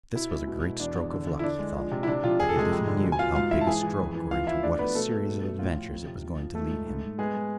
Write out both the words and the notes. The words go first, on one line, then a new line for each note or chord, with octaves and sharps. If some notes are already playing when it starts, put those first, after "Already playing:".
This was a great stroke of luck, he thought, but he little knew how big a stroke or into what a series of adventures it was going to lead him.
B2 E4
G#3
B2
B2
E2 D4
E2
D3
D3
E4
D3 D4
G#3
F3
C3
E4
C3 D4
C3 F3 F4
F3 G#4
A4
C3 G#3 G#4
F2
D3
B2
G#5
B2 F4 F5
G#2 F4 F5
G#2 E4 E5
A5
E3 G#4 G#5
E3
F2
E3
F3 F4 F5
F3 E4 E5
A3 D4 D5
A3 B3 B4
B2 A3 A4
B3
B2
B2
A2 F3 F4
F3
F2
C3
F2
F3
G#3 A3 A4
G#2
G#2
G#2
G#3 B3 G#4
G#3